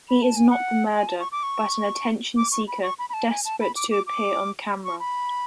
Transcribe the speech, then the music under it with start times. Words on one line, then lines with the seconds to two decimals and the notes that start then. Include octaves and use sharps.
He is not the murderer, but an attention seeker desperate to appear on camera.
0.09 B5
0.22 A5
0.36 G#5
0.51 F#5
0.96 G#5
1.08 A5
1.20 C#6
1.32 D6
1.43 C#6
2.37 D6
2.52 C#6
2.68 B5
2.83 C#6
2.99 B5
3.10 B5
3.13 A5
3.30 G#5
3.45 A5
3.61 B5
3.76 D6
3.91 D6
4.07 D6
4.85 C#6
5.00 B5